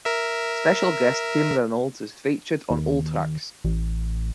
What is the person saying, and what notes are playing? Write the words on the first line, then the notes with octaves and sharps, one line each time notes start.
Special guest Tim Reynolds is featured on all tracks.
A#4 E5
D#2
A1